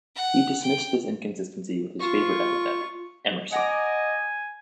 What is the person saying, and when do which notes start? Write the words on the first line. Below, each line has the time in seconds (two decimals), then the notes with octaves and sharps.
He dismissed this inconsistency with his favorite epithet, Emerson!
0.16 F#5
0.63 G5
2.00 F4 C#6
3.52 D#5 F#5 G#5 A#5 D6